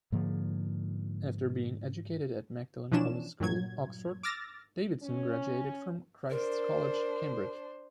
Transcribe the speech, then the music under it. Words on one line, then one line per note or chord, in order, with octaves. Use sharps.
After being educated at Magdalen College School, Oxford, Davidson graduated from Christ's College, Cambridge.
G#2 D3 F3 A#3
B2 E3 F3 C#4 D4 E7
G2 A#2 F#3 G#6
D6 E6 F6 A6 A#6
C#4
D4 A#4 C5